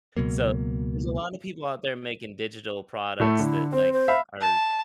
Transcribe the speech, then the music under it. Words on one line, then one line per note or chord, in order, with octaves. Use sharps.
so, there's a lot of people out there making digital products that, like, are
C#2 B2 F#3 A#3
A2 A3
D3 E4
C4 C5
C5
E5 F5 B5
A5